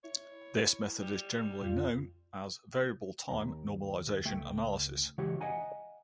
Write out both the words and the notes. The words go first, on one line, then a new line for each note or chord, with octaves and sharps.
This method is generally known as Variable Time Normalization Analysis.
E4 C#5
G3
F2 F4
D#2 A#5
C#2 A3 E5 G5
C#3 E3 G#3 F#4 G4 C#5
D#5 E5 F#5 G#5 A#5